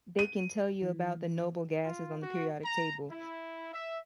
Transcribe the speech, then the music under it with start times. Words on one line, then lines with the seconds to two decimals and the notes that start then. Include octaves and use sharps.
they can tell you about the noble gasses on the periodic table.
0.19 D#7
0.82 E3
1.85 F4
2.22 F#4
2.64 A#5
3.11 E4
3.73 E5